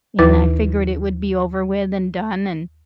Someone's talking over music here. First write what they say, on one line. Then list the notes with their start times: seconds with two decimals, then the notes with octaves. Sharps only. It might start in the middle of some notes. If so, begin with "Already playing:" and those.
and I figured it would be over with and done, and
0.19 D#2 E3 E4 B4 D6 A6